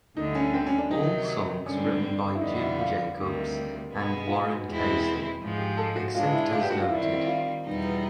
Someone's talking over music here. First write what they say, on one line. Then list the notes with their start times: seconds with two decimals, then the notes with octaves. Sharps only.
All songs written by Jim Jacobs and Warren Casey, except as noted.
0.16 D2 D3 G3 D#4
0.35 C#4
0.54 C4
0.67 C#4
0.78 D4
0.91 C3 D#3 F#3 D#4
1.66 G2 D3 G3 C4 C#4
1.84 D4
2.35 E4
2.40 F2 D3 G3 B3 D#4
2.60 E4
2.78 F4
3.16 D2 C3 D#3 G3
3.90 B2 G#3 B3
4.27 F4
4.47 F#4
4.65 E2 B2 G#3 C4 E4
5.40 G#2 F3 G#3
5.58 G4
5.77 A4
5.96 F#4
6.15 B2 G#3 B3 D4 F4
6.33 E4
6.52 F4
6.61 G4
6.71 F#4
6.81 F4
6.89 D#3 G3 C4 E4
7.02 E4
7.14 E4
7.27 F4
7.64 E2 B2 G3 B3 D#4